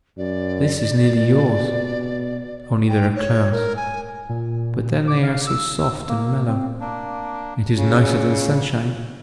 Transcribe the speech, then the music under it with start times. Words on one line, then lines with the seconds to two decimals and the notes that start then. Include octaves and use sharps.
This is nearly yours, only there are clouds; but then they are so soft and mellow: it is nicer than sunshine.
0.18 F#2 D5
1.17 A#2
1.58 B2
2.89 G5
3.16 C#5
3.52 A#4
3.76 G#5
4.29 A#2
5.07 D6
5.23 F5
5.47 E6
6.09 A#3
6.48 C4
6.80 A#3 D4
7.75 C#3